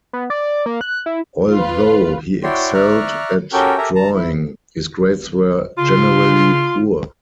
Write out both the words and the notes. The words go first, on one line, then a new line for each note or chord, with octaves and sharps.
Although he excelled at drawing, his grades were generally poor.
B3
D5
A#3
F#6
E4
F4 B4
E4 F#4 C#5 D5 G5 C6
D5 E5 A#5 C#6 F6 F#6
C#4 F#4 G4 A4 A#4 G5
G4 A4 A#4 E5 G#5 A#5
A5 A#5
E4
C#3 F4 C6